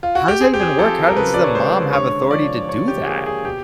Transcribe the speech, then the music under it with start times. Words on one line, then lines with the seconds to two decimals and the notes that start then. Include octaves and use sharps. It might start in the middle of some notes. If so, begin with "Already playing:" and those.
How does that even work? How does the mom have authority to do that?
0.03 F4
0.15 F#4
0.28 G4
0.41 C4 G#4
0.54 G4
0.60 G#4
0.79 F3 A4
1.08 A#4
1.16 C#3 B4
1.34 D5
1.44 C#5
1.55 G#3 C5
1.93 D3 C#5
2.31 F3 D5
2.69 D3 C#5
2.88 G4
3.07 A#3 G#4
3.26 G#4
3.45 B2 G4